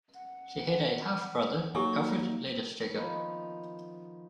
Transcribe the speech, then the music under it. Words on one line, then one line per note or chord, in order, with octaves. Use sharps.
She had a half brother Alfred Ledersteger.
F#5
F#3 A#3 D#4 G4 A4 G#5
D#3 F3 B3 B5